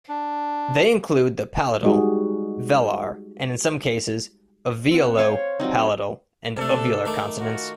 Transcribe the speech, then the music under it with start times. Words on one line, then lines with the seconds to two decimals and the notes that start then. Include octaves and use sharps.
They include the palatal, velar and, in some cases, alveolo-palatal and uvular consonants.
0.09 D4
1.83 G3 G#3 D#4 F#4 G#4
4.91 C4 F#5
5.17 C5 C#5 F5
5.60 F#3 G3 C4 D#4
6.57 C3 A3 D4 A4
7.06 D#3 A3 D6
7.39 F4 F#4